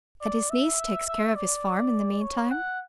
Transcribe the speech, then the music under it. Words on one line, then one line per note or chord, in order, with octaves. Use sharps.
"And his niece takes care of his farm in the meantime?"
D5
E5
E5
D5
C#5
F#5